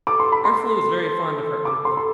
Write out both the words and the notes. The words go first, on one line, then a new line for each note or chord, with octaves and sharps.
Ursula was very fond of her uncle.
A4 D6
C6
B5
C6
D6
C6
C6